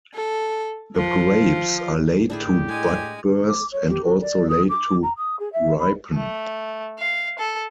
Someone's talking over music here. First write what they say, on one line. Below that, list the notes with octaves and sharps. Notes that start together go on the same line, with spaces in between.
The grapes are late to bud burst and also late to ripen.
A4
F3
A2 D4 E4 G4 G#4
G#3 G#5
D6
C#5
G4
F#4
D5
D#6
D6
A#5
D#6
G#4
E5
B5
A3
F5
A4